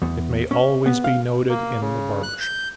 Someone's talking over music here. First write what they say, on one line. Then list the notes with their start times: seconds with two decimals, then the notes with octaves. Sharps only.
It may always be noted in the barber shops.
0.02 E2
0.51 C#4
0.86 B3
1.04 F5
1.48 A#3
1.81 C#3
2.23 F#6
2.41 G6